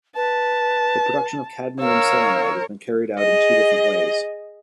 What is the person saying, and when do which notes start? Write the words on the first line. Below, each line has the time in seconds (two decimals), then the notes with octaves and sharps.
The production of cadmium selenide has been carried out in two different ways.
0.16 B4 A5
1.81 A#4 C#5 F5 E6
3.18 G#4 D#5